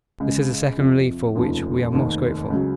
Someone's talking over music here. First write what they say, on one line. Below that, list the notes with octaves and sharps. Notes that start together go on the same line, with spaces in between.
This is a second relief for which we are most grateful.
C#2 C#3 G#3
F2 C3 F3
F1 D#2 C#3 F3
F1 D#2 D#3
C#2 C#3 F#3